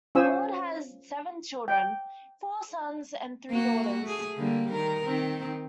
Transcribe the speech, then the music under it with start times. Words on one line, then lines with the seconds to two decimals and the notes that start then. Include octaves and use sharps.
Maude had seven children, four sons and three daughters.
0.15 C#4 F4 C5 C#5 G#5 E6
1.68 G5
3.50 A#3 F#4
4.03 A3 G#4
4.37 D3 G3 A#3
4.71 D#3 A#4
5.05 D#3 C4